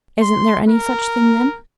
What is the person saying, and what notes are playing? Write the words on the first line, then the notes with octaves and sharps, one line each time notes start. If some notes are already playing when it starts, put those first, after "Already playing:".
"Isn't there any such thing, then?"
C6
A#4